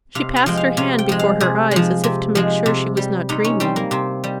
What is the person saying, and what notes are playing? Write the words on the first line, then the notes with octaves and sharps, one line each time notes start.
She passed her hand before her eyes, as if to make sure she was not dreaming.
C3 F5
F5
F3 G#3 G5
F5
C3 F5
G5
F3 G#3
F5
C3 G#4
F3 G#3
C3
F3 G#3
C3
G3
C3 D#4
C#4
G3 C4
A#3
C3 C4
G3